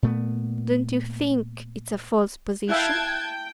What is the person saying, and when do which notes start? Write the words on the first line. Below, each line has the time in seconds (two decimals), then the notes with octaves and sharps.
"Don't you think it's a false position?"
0.03 A#2 A3 B3
2.69 E4 E5 F5 G5 A5 F#6 G#6